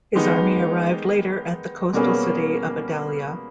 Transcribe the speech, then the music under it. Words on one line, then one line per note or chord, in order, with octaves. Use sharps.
His army arrived later at the coastal city of Adalia.
D#3 G#3 B3 D#4 G4
B2 G3 A#3 C#4 G#4